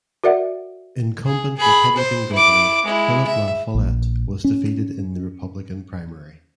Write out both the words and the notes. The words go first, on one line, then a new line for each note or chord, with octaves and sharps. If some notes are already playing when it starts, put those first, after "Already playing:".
Incumbent Republican Governor Philip La Follette was defeated in the Republican primary.
F#4 A#4 D5 E5 F#5
G#4
G#4 B5
C5
E4 D6
G#3 E4
E5
A#1
C#4